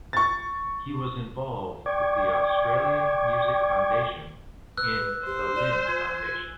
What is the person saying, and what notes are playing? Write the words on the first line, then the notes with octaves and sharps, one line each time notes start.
He was involved with the Australian Music Foundation and The Lynn Foundation.
C#6 A6
D5 G5 C#6 D6 G#6
B4 E6 F#6
G4 C5
D5
F4 G#5